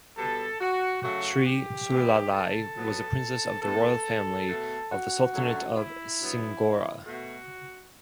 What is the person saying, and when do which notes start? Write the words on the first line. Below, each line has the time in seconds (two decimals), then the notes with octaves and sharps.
Sri Sulalai was a princess of the royal family of the Sultanate of Singora.
0.17 B2 G3 B3 A4
0.60 F#4
1.03 C#3 F#3 A3 F#4
1.46 G4
1.89 A2 E3 B3
2.32 A4
2.76 B2 F#3 B3
3.61 A2 E3 B3 A4
4.48 B2 A3
4.91 F#4
5.34 F#2 D3 F#3 A3
5.77 E4
6.21 G2 F#3 B3
7.06 B2 A3 F#4